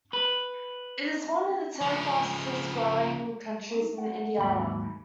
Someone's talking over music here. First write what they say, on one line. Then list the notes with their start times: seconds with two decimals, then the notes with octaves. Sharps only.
It is one of the ten fastest-growing counties in Indiana.
0.13 B4
1.81 C#3 F3
3.98 F#5
4.38 D#2 G#2 F#3 B5